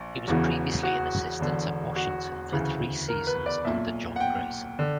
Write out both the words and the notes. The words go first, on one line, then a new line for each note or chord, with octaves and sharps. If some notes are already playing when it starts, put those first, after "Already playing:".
He was previously an assistant at Washington for three seasons under John Grayson.
Already playing: A#1
E1 E2 C#3 E3 F#4
F#4
E1 E2 D3
F#4
D2 C#3 E3
A#4
B4
D5
B1 A#2 E5
F#5
G5
D3